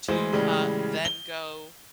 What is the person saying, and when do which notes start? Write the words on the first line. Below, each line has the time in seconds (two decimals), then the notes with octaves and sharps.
to, uh then go
0.08 D2 E3 G#3 C5
0.33 A2 C#3 E3 G3 G#3
1.05 G7